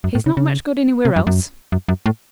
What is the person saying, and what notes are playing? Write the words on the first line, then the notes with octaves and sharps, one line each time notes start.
He's not much good anywhere else.
F#2
A2
C#3
C#3
C3
F#2
F#2
F#2
F#2
A2